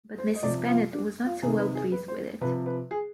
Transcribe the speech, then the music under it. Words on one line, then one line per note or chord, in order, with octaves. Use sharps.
But Mrs. Bennet was not so well pleased with it.
C5
D#5
C3 F3 D5
F4
D4
F4
C3 D#3 G#4
B4
G#4
B4
C5
C3 F3 B4
B4
G#4